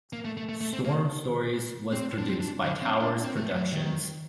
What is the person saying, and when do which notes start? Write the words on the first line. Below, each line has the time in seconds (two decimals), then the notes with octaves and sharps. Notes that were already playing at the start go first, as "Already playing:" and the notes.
"Storm Stories" was produced by Towers Productions.
0.13 A#3
0.25 A3
0.37 A3
0.49 A3
0.61 A3
0.73 C4
0.85 A#3
1.93 C4
2.18 D4
2.29 C4
2.41 D4
2.64 D3
2.83 C4
3.01 D4
3.25 C4
3.37 A3
3.55 F#3
3.73 D#3